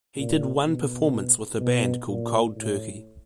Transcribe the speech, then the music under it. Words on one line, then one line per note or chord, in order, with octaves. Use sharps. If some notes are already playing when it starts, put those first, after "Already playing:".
He did one performance with a band called Cold Turkey.
A#2
B2
B2
A#2
A2